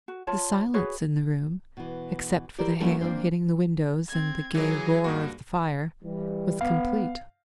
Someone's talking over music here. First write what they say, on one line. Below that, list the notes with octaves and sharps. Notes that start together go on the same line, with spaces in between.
The silence in the room, except for the hail hitting the windows and the gay roar of the fire, was complete.
F#4
F4 C#5 A5
F#4 G#4 B4 C#5
B2 E3
E4 G4 A#4 C5 D5
F#3 A3 A#3 C#4 D4 E4
F3 A#3 C4 D4 C5
C4 G#6
E3 F#3 G#4
G2 A#3 F#4
E3 G3
B3 F5